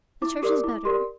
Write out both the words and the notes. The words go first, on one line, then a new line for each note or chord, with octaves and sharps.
The church is better.
E4 D6
G4 A#4 D5 D6
E4 D6
G4 A#4 D5 C6